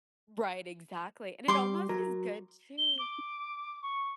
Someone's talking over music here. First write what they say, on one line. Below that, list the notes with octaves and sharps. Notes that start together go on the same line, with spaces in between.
Right. Exactly. And it almost is good to
G3 C6 D6
F#3 A#4
G7
D6
C#6